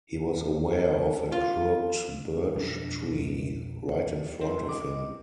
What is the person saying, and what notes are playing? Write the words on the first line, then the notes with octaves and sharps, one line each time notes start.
He was aware of a crooked birch tree right in front of him.
F4
B1 F2 G#3 D4
G2 C4 C6
D#5 D6